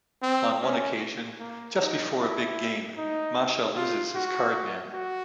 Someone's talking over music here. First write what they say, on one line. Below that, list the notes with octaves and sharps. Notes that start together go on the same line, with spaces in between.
On one occasion, just before a big game, Macha loses his card man.
C4
C#4
A#3
D#4
E4
D#4
F4
F#4
F#4